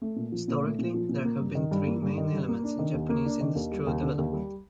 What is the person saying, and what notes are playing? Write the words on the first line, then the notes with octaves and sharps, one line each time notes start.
Historically, there have been three main elements in Japanese industrial development.
A3
A#2
F3
A#2
A3
A#2
F3
A#2
A#3
G2
D#3
G2
A#3
G2
D#3
G2
A#3
D4
D#3
D#2
A#3
D4
D#3
D#2
G3
D#2
D3
D#2
G3